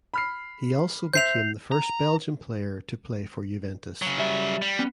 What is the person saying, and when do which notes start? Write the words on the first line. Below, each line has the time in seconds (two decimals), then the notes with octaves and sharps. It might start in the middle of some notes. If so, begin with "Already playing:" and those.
He also became the first Belgian player to play for Juventus.
0.14 B5 F6 C7
1.13 C5 E5 G6 C7 F7
1.72 A#5
4.02 C#3 F#3
4.19 G3 E5
4.62 G3
4.79 B3 C#4